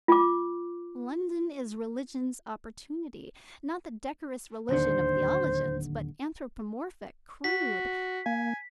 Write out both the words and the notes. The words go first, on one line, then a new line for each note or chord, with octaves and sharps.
London is religion's opportunity--not the decorous religion of theologians, but anthropomorphic, crude.
F4 D6
D1 D#2 D3 C5
F#4 B6
A#3 G#5